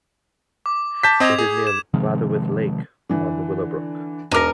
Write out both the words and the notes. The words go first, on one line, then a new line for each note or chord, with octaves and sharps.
It is near Blatherwycke Lake, on the Willow Brook.
D6
A5 G6 B6
C4 D#5 D6 G#6 F7
G#4
E7
C3 D#3 F3 G#3
D3 E3
E1 D#4 A#4 D6 A#6